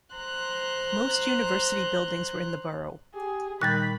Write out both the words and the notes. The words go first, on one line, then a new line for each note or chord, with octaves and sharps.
Most university buildings were in the borough.
C5 A#5 C6 F#6 G6
G4 G#4
A#2 D#3 G3 B5 F#6 G6 A6